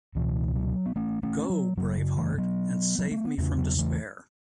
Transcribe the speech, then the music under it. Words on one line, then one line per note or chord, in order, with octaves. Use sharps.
Go, brave heart, and save me from despair.
C#2 B2 E3
F#3
B3
A3 C#4
A3 C#4
F#3
F#2 C#3 F#3
E3 A3
F#3 B3
F#3
A3
B3
E2 C#3 A3 C#4
F#3 B3
E3 A3